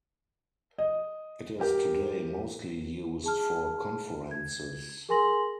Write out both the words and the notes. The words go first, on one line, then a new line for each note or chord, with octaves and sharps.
It is today mostly used for conferences.
D#5
G4 A#4
G#4 A5 F6
G#6
G#4 A#4 G#5 C6 A#6 F#7